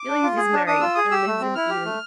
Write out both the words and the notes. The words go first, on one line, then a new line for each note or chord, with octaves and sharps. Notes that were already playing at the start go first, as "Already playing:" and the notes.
Gillies is married and lives in Ely.
Already playing: D6
D4
F4
G#4
D4
D4 D#6
F4 E6
G#4 D#6
G4 E6
A3
C4
E4 F6
G4
A3